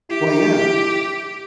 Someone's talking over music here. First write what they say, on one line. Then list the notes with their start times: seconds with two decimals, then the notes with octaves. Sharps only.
Well, yeah.
0.10 E4 G4